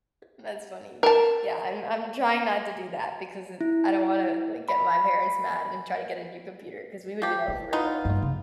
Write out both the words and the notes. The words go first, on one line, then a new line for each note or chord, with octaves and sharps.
That's funny. Yeah, I'm I'm trying not to do that because, eh, I don't wanna, like, get my parents mad and then try to get a new computer, 'cause we would do that when we were little.
A#4 A5
E4
B5
F3 G4
E4
B3 D#4 F4
G2
C#3